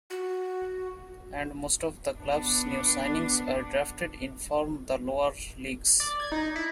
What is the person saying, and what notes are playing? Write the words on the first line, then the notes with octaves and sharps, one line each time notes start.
And most of the club's new signings were drafted in from the lower leagues.
F#4
B3 D4
D5
G#6
D#4
E4